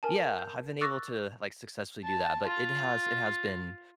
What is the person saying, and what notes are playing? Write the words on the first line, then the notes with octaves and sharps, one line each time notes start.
Yeah, I've been able to, like, successfully do that, but it has it has been,
A#4 G#5 A5
G6
C#6 D6 E6 F#6 A6 A#6
A5
F4